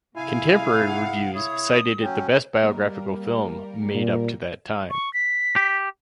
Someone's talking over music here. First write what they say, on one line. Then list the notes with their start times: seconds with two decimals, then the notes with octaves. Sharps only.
Contemporary reviews cited it the best biographical film made up to that time.
0.16 C3 E4 G#4 F5 G#5
0.86 F#5
1.34 E4 C#5 D#6
2.02 F#3 C#4 G5
2.61 G3 A#3 A#4
3.95 A#2
4.90 C#6
5.14 B6
5.56 G4